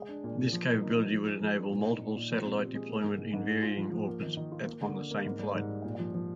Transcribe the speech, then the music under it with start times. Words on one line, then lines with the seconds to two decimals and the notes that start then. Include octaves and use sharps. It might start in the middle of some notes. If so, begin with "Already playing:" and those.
This capability would enable multiple satellite deployment in varying orbits on same flight.
Already playing: G#3
0.09 D4
0.24 A#2
0.39 A#2
0.53 F3
0.68 A#3
0.82 D#4
0.97 F3
1.13 F3
1.26 G#3
1.41 F3
1.57 D4
1.71 A#2
1.86 D#4
2.00 A#2
2.16 A#2
2.31 F3
2.45 C4
2.59 G4
2.75 G#3
2.89 A#3
3.04 G#2
3.19 G#2
3.33 G#2
3.49 G#4
3.63 F4
3.77 F3
3.92 F3
4.07 A#3
4.22 D#3
4.37 D#3
4.52 F4
4.66 A#3
4.81 D3
4.95 A#3
5.11 A#3
5.26 G#2
5.39 G3
5.55 G#2
5.69 G3
5.84 A#2
5.99 F3
6.14 F3